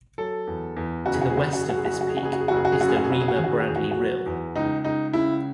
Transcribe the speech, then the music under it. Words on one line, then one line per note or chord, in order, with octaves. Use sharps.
To the west of this peak is the Rima Bradley rille.
F#3 A4
E2
E2
F#1 F#4
G#4
F#4
G#4
F#1 F#4
G#4
F#4
F#2 G#4
F#4
G#4
F#4
F#1 G#4
F#4
G#4
F#4
F#1 G#4
F#4
G#4
F#1 F#4
G#4
F#4
G#4
F#2 F#4
G#4
F#4
G#4
F#1 F#4
G#4
F#4
D#3 G#4
F#4
G#4
F#4
E2 G#4
F#4
G#4
F#4
F#3
E2
C#2 D#4
C#2 D#4
C#3 E4